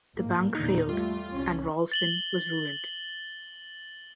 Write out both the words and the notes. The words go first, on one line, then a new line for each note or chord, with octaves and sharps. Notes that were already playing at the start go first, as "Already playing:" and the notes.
The bank failed, and Ralston was ruined.
A1 G#2 A#3
E2 A#2 D3 D#4
G3 A3 F4
C2 C#4
A6 F#7 G7